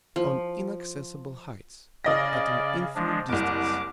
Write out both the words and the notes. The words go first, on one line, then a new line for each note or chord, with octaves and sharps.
On inaccessible heights--at an infinite distance.
F3
C#3 D5 D#5 A#6
F3 G#3 D4
F#1 C2 D6